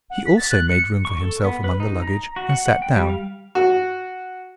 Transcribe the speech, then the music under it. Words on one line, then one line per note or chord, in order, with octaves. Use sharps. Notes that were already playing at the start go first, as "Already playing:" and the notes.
He also made room for himself among the luggage and sat down.
F#5
B6
A6
F#6
C#7
C#6
A4
B3
B4
D#4
A#5
F#4
F#5
F#5
G5
G3
F5
F#4